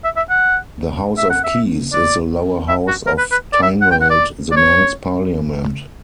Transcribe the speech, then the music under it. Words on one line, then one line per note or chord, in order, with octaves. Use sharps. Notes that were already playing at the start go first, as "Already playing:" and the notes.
The House of Keys is the lower house of Tynwald, the Manx parliament.
E5
E5
F#5
E5
F#5
E5
D5
E5
F#4
A#4
B4
B4
D5
E5
F#5
G5
F#5
D5
D5
C#5